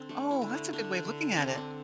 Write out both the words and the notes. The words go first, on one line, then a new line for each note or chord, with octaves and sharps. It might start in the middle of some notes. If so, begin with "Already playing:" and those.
Oh, that's a good way of looking at it.
Already playing: D3 C4
A3 D4
E4
D3
D3 D4
D3
D3 C4
D4
C4